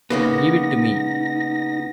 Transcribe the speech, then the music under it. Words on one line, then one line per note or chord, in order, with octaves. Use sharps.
Give it to me!
C#3 A#3 B3 D#4 A#6